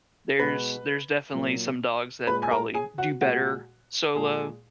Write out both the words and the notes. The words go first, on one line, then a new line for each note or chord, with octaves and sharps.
there's there's definitely some dogs that probably do better solo,
B2 G#3 B4 B5
A#2 F#3 A#3
A#2 G#3 B4 B5
G#5
A#4 A#5
G#4 G#5
F#4 F#5
A#2 G#3 F#4 F#5
A#2 G#3 G#4 G#5